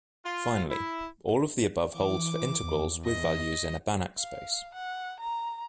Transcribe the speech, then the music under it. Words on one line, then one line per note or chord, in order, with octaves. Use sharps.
Finally, all of the above holds for integrals with values in a Banach space.
F4
E4
E3 D6
E2
D#5
F5
F#5
A#5